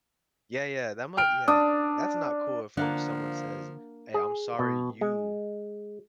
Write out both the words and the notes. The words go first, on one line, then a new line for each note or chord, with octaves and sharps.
yeah, yeah, that ma yeah. That's not cool if you someone says, "Hey, I'm sorry you
G5 F6 D7
D4 D#6
D3 F3 A#3 D4 F5 F#5
G#4
B2
G#3